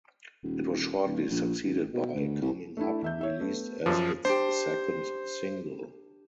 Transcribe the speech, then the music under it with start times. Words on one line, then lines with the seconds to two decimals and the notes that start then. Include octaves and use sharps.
It was shortly succeeded by "Coming Up" released as its second single.
0.44 D#1
1.05 D1
1.30 A#1
1.64 G#1
1.94 B2
2.15 D2
2.42 C2
2.77 A3 D4 E4
3.02 E2 E5 G6
3.21 C#5 E5
3.40 A3 B3
3.86 F#2 F3 C5 D6
4.25 D4 G4 C5